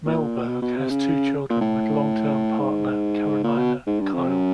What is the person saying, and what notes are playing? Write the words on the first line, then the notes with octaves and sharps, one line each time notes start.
Mellberg has two children with long term partner Carolina Kihl.
A#2
B2
B2
C3
C#3
A#2
A2
G#2
A#2
B2
G#2
G2
F2
F#2